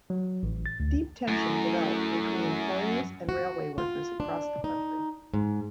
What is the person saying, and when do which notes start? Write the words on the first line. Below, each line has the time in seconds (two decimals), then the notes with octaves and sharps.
Deep tension developed between employers and railway workers across the country.
0.10 F#3
0.43 A1
0.66 A6
0.80 D2
1.28 F#2 A2
3.29 F#4
3.78 F4
4.20 D4
4.64 D#4
5.34 G#2